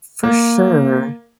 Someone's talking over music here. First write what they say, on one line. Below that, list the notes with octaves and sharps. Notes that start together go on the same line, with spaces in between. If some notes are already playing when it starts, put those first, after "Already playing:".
For sure.
A#3